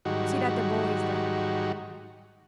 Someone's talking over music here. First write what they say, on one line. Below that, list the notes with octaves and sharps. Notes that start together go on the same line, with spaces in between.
See that the boy is there.
G#2 D#3 F#3 G3 F#4